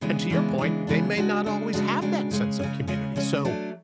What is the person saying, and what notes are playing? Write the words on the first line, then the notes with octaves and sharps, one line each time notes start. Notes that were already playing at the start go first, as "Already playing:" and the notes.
and to your point, they may not always have that sense of community, so,
C#3 E3 G#3 B3 D4
C#3 E3 G#3 B3 D4
C#3 E3 G#3 B3 D4
C#3 E3 G#3 B3 D4
C#3 G#3 D4 F#4
C#3 G#3 D4 F#4
C#3 G#3 D4 F#4
C#3 G#3 D4 F#4
C#3 G#3 C#4
C#3 G#3 C#4
C#3 G#3 C#4
C#3 G#3 C#4
F#3 A3 D4